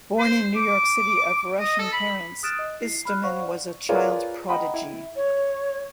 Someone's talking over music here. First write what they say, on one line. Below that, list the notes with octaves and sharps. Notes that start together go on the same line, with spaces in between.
Born in New York City of Russian parents, Istomin was a child prodigy.
C5
D6
D#5
A4
B5
D#6 F6 F#6 A6 D7 E7
D#5
E4 C7
B5 F6 F#6
C5 F5 F#5 C#6
D5
F4 G#4 A#4 B4 C#5 D5
D#5 F#5 G5 A#5 B5
E4
C#5